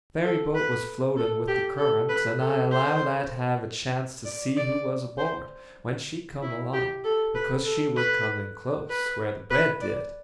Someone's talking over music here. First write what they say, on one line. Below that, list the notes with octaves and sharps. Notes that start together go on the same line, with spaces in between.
The ferryboat was floating with the current, and I allowed I'd have a chance to see who was aboard when she come along, because she would come in close, where the bread did.
A4
B4
A4
G4
A4
B4
A4
C5
D5
D5
C5
E4
G4
A4
B4
A4
B4
B4
B4
D5